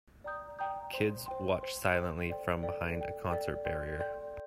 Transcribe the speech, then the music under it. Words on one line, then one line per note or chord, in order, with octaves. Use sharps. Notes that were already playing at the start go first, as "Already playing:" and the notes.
Kids watch silently from behind a concert barrier.
D5 G5 A#5 D#6 G6
D5 G5 A#5 D#6 G6
C5 G5 C6
C5 G5 C6
C5 G5 C6
C5 G5 C6
A4 D5 G5
A4 D5 G5
A4 D5 G5
A4 D5 G5
A4 D5 G5 C6 G6
A4 D5 G5 C6 G6